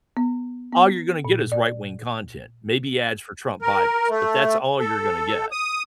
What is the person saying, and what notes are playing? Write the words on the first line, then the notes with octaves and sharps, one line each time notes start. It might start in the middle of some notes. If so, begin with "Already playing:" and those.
all you're gonna get is right-wing content, maybe ads for Trump Bibles, but that's all you're gonna get.
B3
B3
A#2
D5
A#4
A3
A4
D#6